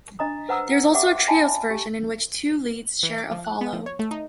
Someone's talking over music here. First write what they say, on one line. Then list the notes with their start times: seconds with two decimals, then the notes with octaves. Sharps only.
There is also a Trios version in which two leads share a follow.
0.19 D4 D#5 A#5 D#6
0.49 B4 C5 F#5 A#5 D#6 E6
0.94 G4 D5 E5 F#5 G5 D6
1.28 D#5 G#5 A5 B5
1.70 G4
3.03 E3
3.18 D6
3.31 F3
3.44 F#6
3.61 B3
3.73 F3
3.86 C#5
3.99 A3
4.11 D#4